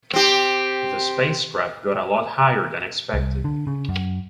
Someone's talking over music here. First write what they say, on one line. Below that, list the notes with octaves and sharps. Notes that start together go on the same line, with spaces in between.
The spacecraft got a lot higher than expected.
C4 G4
C2
D3
C#3
F#2